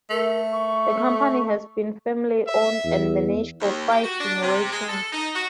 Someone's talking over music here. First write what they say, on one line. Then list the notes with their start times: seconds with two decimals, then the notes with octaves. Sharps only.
The company has been family-owned and managed for five generations.
0.10 A3 A#4
0.52 C#6
2.47 E5
2.84 E2
3.61 D#2
3.90 G4
4.03 F#4
4.20 D4
4.42 C3
4.72 G#3
4.88 A4
5.12 D#4
5.35 F#4